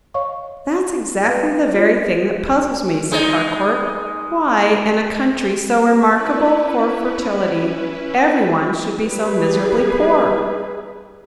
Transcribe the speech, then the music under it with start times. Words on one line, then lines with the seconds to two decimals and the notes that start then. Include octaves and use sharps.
"That's exactly the very thing that puzzles me," said Harcourt, "why, in a country so remarkable for fertility, every one should be so miserably poor!"
0.14 C#5 D#5 F5 C#6
1.23 B4 F5 G#6
1.74 F4 C#5
3.11 G#3 D#4
6.12 C#4 E4 B4
8.98 G3 G4 G#4 B4